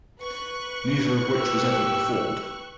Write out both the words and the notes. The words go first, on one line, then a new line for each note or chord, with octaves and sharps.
Neither of which was ever performed.
B4 C#6 F#6
G4 E6